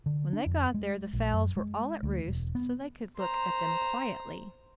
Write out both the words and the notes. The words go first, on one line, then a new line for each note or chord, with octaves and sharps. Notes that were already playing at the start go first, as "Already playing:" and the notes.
When they got there, the fowls were all at roost, so they could look at them quietly.
D3
D4
F2
G#3
A#1
F#2
G#3
D2
E1
B3
C5 A#5